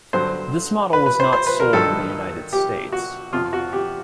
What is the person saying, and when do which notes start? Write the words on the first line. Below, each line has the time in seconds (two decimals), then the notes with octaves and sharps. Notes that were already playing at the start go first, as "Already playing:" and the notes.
This model was not sold in the United States.
0.13 G2 D3 F#3 C5
0.93 B4
1.06 B4
1.20 C5
1.33 C5
1.47 B4
1.60 A#4
1.73 G2 D#3 F#3 A4
2.53 G4
2.92 F#4
3.33 F2 C3 F3 F4
3.53 F#4
3.73 G4